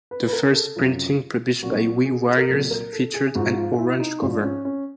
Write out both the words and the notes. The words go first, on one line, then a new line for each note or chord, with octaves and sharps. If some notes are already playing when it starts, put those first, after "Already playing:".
The first printing published by Wee Warriors featured an orange cover.
B4
B4
A#4
A4
F#2 C#3 F#3 F4
C2 A#2 F#3 F#4
G#4
A#4
C2 A#2 F#3 A4
A#4
A4
G#4
G#2 F3 F#4
F4
E4
E4
D#4
G#2 F3 D4
D4
C#4
C#4